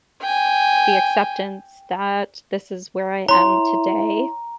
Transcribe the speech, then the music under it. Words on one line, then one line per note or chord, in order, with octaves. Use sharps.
the acceptance that this is where I am today.
G5 G#5
E4 C#5 A#5 C6